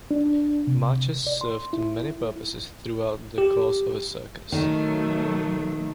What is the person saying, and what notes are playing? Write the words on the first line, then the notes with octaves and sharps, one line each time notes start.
Marches served many purposes throughout the course of a circus.
D4
C3
D5
C6
E4
G4
B2 D#3 F#3 A3